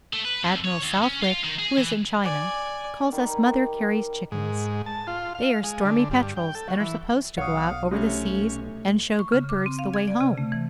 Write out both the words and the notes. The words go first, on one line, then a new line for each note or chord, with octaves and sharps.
Admiral Southwick, who is in China, calls us Mother Carey's chickens. They are stormy petrels, and are supposed to go out over the seas and show good birds the way home.
A3
B4
F2
C#5
D#2
C#4
F4
D#3
G#4
E3
D5 G#5
D#3 G3 G4
G#2
A5
F4
F5
G#3
D3
G2
G5
A4
F#3
E3
B1 C#5 F5 F#5 D#6
C3 A3 C#4
C#6
C#3
D6
C4
F5
G#6
D5
C3
A3
E3